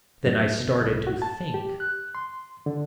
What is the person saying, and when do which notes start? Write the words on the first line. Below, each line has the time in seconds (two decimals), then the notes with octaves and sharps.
Then I started to think.
0.26 F#2
0.60 B2
0.81 C2
1.07 F#4
1.22 A5
1.54 G4
1.80 F#6
2.15 C6
2.66 D3